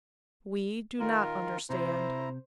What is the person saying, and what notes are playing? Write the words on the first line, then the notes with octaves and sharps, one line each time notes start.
We do not understand.
D#3 F4 A#4
C3 E4 C5 A#5